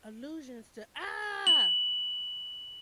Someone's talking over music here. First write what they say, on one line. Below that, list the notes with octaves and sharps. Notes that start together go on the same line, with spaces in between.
Allusions to Ah!
F#7